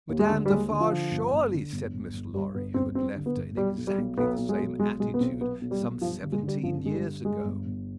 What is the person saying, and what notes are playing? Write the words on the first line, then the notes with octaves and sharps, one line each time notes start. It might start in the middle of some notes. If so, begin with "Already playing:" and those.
"Madame Defarge, surely!" said Mr. Lorry, who had left her in exactly the same attitude some seventeen years ago.
D#2
G#3
D3
G3
D#2 G#3
D3
F3
D3
G1
G1
D3
G1
G1
G1
G2 G3
G1 B3
G1 C4
G2 C4
D3
B3
G1
B1 G3
B1
G3
B1
B1 B3
B1
G#3
B2
B1 G#3
B2 G#3
B3
B1 C4
B1 B3
B1
G3
B1
G2 F3
D3
G#3
D3 G3
G1 F3
D3 G#3
G3
G2
G2 G#3
G1
G1